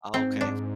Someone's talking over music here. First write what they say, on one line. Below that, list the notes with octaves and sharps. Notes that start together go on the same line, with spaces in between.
Oh, okay.
G#2 C4
D4